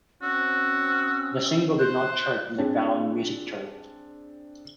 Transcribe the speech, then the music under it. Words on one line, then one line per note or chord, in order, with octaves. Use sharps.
The single did not chart in the Gaon Music Chart.
C4 C#4 F#4 E6
C5 F#6
C4 D4 G#4